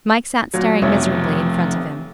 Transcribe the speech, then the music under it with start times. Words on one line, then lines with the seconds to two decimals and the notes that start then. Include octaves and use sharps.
Mike sat staring miserably in front of him.
0.54 A#2 F#3
0.82 F1 B1 F2 C#5 E5